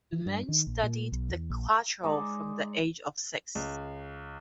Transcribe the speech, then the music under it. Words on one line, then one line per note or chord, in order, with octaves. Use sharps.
Domenech studied the cuatro from the age of six.
E3
G2
D#3
A#1
A#2
B1
E2
A#1
G#3 D#4 D5
C#2